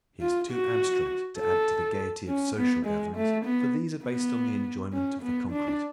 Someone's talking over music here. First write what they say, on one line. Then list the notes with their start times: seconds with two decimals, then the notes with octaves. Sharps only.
He is too abstract to add to the gaiety of social gatherings, for these are based on the enjoyment of the concrete.
0.21 F4
0.51 F#4
1.38 A4
2.28 C#4
2.56 B3
2.86 G#3
3.17 A3
3.45 B3
4.05 B3
4.93 C#4
5.22 B3
5.52 D4